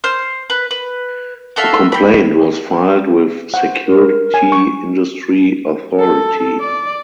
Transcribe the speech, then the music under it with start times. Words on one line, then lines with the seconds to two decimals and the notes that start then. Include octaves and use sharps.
A complaint was filed with Security Industry Authority.
0.04 C5 F6
0.50 B4
0.71 B4
1.56 F#4 A4 E5 F5
1.92 G4 B5
3.54 C5 F#5
3.85 A#4
4.34 G#5
4.52 C#6
6.00 A4
6.60 D5